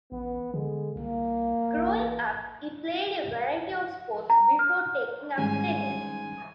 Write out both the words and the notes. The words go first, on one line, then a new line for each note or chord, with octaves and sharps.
Growing up, he played a variety of sports before taking up tennis.
A1 B3
D3 G#3
C2 A#3
A1
A#5
F6
G#2 D#3 G3 C#4 G#5